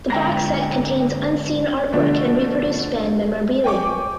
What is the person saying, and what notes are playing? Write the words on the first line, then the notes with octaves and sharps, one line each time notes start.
The box set contains unseen artwork and reproduced band memorabilia.
G#2 D3 G5 A#5 A#6
B2 D3 F3 A3 D4
G5 G#5 C#6 D6